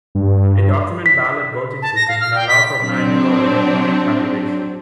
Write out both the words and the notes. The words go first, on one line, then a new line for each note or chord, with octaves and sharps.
A document ballot voting system can allow for manual or electronic tabulation.
G2
B6
A5
A#6
F5
F6
G5
B6
F#3 C4 D4